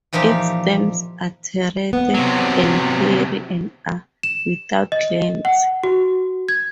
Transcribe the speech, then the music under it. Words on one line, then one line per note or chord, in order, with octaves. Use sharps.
Its stems are terete and hairy and are without glands.
A#2 E3 F3 D#4 G4
B3
C3 F#3
E7
D#5
F#5
F#4
G#6